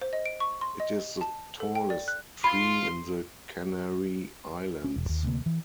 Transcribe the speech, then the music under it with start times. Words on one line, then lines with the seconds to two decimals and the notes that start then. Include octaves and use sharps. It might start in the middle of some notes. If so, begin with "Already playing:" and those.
It is the tallest tree in the Canary Islands.
0.02 C5
0.13 D#5
0.26 D7
0.40 C#6
0.61 C6
0.80 D#5
1.21 A5
1.60 A4
1.75 G5
1.90 D5
2.08 F#6
2.44 F4 B5 C6
4.84 C#4
4.96 E1
5.09 D#2
5.23 D2 C3 A#3
5.46 E3